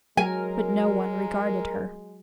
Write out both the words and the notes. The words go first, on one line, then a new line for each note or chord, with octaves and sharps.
But no one regarded her.
F#3 G#3 A#4 G#5